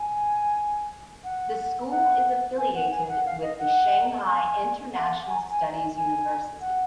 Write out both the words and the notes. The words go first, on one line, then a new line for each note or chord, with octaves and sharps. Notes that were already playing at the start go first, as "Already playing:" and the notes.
The school is affiliated with the Shanghai International Studies University.
Already playing: G#5
F#5
F#5
G#5
F#5
G#5
F#5
F5
D#5
F#5
G#5
F#5
F#5
G#5
G#5
G#5
G#5
F#5